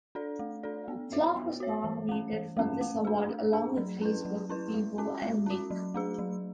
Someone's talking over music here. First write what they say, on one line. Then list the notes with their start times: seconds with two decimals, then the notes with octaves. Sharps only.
Flock was nominated for this award along with Facebook, Bebo and Ning.
0.15 D4 A4 D5
0.39 A3
0.63 D4 A4 D5
0.88 B3
1.12 F#4 C#5 E5
1.36 B3
1.60 F#4 C#5 E5
1.84 E3
2.09 A3 C#4
2.33 E3
2.57 A3 C#4
2.81 A3
3.05 D4 G#4
3.29 A3
3.53 D4 G#4
3.77 F#3
4.01 C#4 E4 B4
4.25 F#3
4.49 C#4 E4 B4
4.74 G#3
4.98 C#4 F#4
5.22 G#3
5.46 C#4 F#4
5.71 F#3
5.94 A3 D4 G#4
6.19 F#3